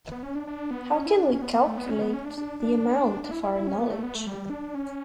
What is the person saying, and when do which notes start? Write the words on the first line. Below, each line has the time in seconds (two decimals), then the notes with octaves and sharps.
How can we calculate the amount of our knowledge?
0.11 B3
0.23 C#4
0.35 D4
0.47 D4
0.71 B3
0.94 C#4
1.06 E4
1.18 D4
1.30 C#4
1.42 B3
1.53 B3
1.66 A3
1.78 B3
1.90 C#4
2.01 B3
2.13 C#4
2.25 D4
2.38 D4
2.60 D4
3.24 D4
3.31 E4
3.43 E4
3.55 E4
3.67 C#4
3.79 B3
3.91 A3
4.03 B3
4.15 A3
4.27 G3
4.50 D4
4.75 C#4